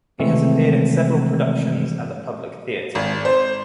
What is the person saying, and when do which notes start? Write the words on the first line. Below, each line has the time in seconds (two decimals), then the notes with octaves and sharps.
He has appeared in several productions at the Public Theater.
0.19 C3 D#3 E3 G#3 A3 C4
2.95 G#1
3.25 C5